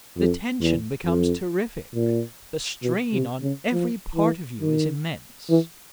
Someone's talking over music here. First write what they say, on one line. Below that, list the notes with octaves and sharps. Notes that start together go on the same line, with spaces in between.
The tension becomes terrific, the strain on every part of you is immense.
F2
E2
F2
A#2
B2
C3
C#3
F3
E3
D#3
E3